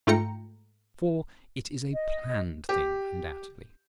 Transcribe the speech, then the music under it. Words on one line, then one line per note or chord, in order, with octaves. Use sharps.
For it is a planned thing, undoubtedly.
G#2 A3 F4 G5 A#5 C#7
D#5
G4